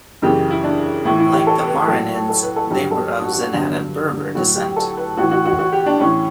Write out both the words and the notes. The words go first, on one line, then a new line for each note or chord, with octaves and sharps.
Like the Marinids, they were of Zenata Berber descent.
F#2 C#3 E3 G4
E4
D4
A2 E3 E4
E4
G4
A4
B4
A2 F#3 A4
A4
B4
A4
G2 F#3 G4
A4
F#4
F#4
G2 D3 F#3
A2 F#3 F#4
G4
A4
B4
A2 E3 F#4
F#4
F#4
F#4
G4
D4
A2 E3 C#4